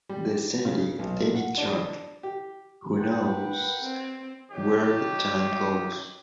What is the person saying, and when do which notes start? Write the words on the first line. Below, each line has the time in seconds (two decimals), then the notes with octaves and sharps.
The Sandy Denny track, Who Knows Where the Time Goes?
0.09 G3
0.65 C#3
0.99 B1
1.35 F#5
1.57 D4
2.23 G4
2.96 A#4 B4 F#5 G5
3.82 C4
4.50 D#3 F#3 G4